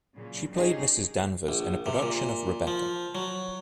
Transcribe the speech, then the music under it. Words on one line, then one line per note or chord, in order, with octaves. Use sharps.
She played Mrs Danvers in a production of "Rebecca".
A#2 C#3 F#3
A#2 C#4 D#4 G4 G#4
A#1
C3
A#2
F3
F#3